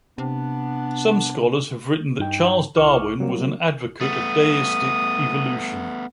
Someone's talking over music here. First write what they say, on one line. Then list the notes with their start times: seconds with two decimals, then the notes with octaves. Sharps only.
Some scholars have written that Charles Darwin was an advocate of deistic evolution.
0.18 C3 B3 D4
2.19 G2 D#4 G5
2.76 C2 E4 C#6 D6 F6
3.20 F#3 G3 A#3
4.01 A3 B3 D#6